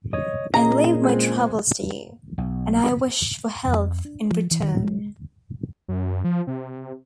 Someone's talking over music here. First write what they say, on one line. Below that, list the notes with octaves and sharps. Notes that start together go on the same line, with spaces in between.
I leave my troubles to you, and I wish for health in return.
C#5 D#5
A#2 C#4 G#4 D#5 A#5
G#3 C4
B1
F2
D4
F3
E3
D#3
G#3
F#2
F3
C3